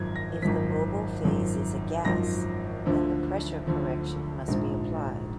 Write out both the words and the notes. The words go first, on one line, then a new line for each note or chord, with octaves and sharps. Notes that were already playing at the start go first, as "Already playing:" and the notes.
If the mobile phase is a gas, then the pressure correction must be applied.
Already playing: G#1 F#2 F3 G#6
A#6
G#1 F#2 F3 B6
G#1 F#2 F3
G#1 F#2 F3 A#6
D2 D3 F3
D2 D3 F3
A#1 G#2 F3